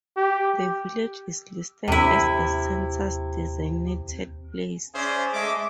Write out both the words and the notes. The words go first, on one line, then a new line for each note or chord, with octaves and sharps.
The village is listed as a census-designated place.
G4
D#2 C3 E4
C#4 G#4 C5 D5 E5
G#3 A3 E5 D6